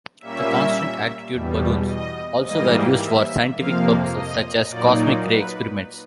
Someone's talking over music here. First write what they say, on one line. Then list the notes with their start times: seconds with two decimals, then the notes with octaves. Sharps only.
The constant-altitude balloons also were used for scientific purposes such as cosmic ray experiments.
0.20 A#2 G3 A#3 C#4 E5
1.33 E2 B2 G3
1.88 D#5
2.44 G#2 E3 G3 A#3 D#5
3.01 E5
3.56 F2 C3 F3 A#3 F5
4.12 D#5
4.68 A#2 F#3 A#3 D#4 D5
5.24 B4